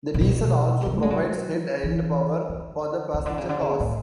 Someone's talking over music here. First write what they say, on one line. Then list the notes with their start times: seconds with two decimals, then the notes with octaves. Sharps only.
The diesel also provides head end power for the passenger cars.
0.14 A2
0.21 B2
0.86 B2
0.94 A3
1.02 G#3
1.10 F#3
1.84 E3
2.49 D3
3.14 C#3
3.26 D3
3.38 C#3
3.49 D3
3.61 C#3
3.80 A2